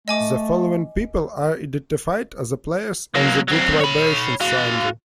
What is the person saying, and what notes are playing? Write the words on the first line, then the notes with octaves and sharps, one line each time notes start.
The following people are identified as players on the "Good Vibrations" single.
A3 D#5 G#5 D6
F#3 A#3
F#3 C4
C#5 B5
F#4 F5